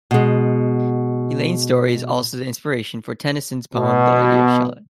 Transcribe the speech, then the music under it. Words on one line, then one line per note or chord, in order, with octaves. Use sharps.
Elaine's story is also the inspiration for Tennyson's poem "The Lady of Shalott".
B2 G#3
B2